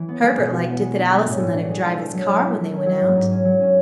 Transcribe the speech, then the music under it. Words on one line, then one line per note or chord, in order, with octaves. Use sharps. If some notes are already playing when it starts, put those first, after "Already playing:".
Herbert liked it that Allison let him drive his car when they went out.
Already playing: E3
B3
G#3
B2
F#4
B3
G#3
D4
G#3
A2
A2
D4
G#3
E4
A3
F#3
G#4
E4
A3
C#4
F#3
G#2
G#2
C#4
F#3
C#4